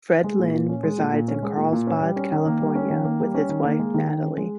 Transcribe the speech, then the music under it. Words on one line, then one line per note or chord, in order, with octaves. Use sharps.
Fred Lynn resides in Carlsbad, California with his wife, Natalie.
G#3
A#2
A#2
C#4
G#3
A#2
A#2
C#4
G#3
A#2
A#2
C#4
G3
C#4
D#3
A#3
G3
C#4
D#3
A#3
G3
C#4
D#3
A#3
G#3
D#3
D#3
C#4
G#3